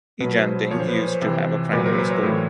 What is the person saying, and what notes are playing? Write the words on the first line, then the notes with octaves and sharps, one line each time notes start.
Ejanding used to have a Primary school.
B2 F#3 B4
C5
A#2 F3 C#5
C5
B4
C5
C3 E3
A#2 F#3 B4
A#4
B4
C5
C#5
A2 E3